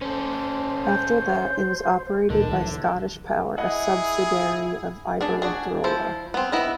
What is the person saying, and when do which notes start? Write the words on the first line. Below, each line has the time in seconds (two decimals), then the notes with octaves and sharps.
After that it was operated by Scottish Power, a subsidiary of Iberdrola.
0.01 C#4 A4 C5
0.86 G6
2.30 D2 A#2 D3 D#3 A5
2.53 E3 F#3
3.58 E4 G#4 D#5 F#5
5.21 A3 D4 G#4
5.42 D4 F#4 G#4
5.84 F3 E4 C5
6.34 B3 C4
6.52 B3 E4 D#5